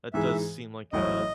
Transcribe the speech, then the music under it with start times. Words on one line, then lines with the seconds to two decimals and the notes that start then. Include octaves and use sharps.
that does seem like a
0.13 G#2 E3 G#3 E5
0.92 A1 A2 F#3 D#5